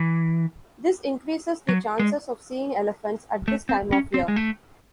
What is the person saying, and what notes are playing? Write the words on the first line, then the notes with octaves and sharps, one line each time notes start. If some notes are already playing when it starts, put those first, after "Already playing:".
This increases the chances of seeing elephants at this time of year.
Already playing: E3
F#3
G#3
A3
C4
C#4
C4
G#3
A3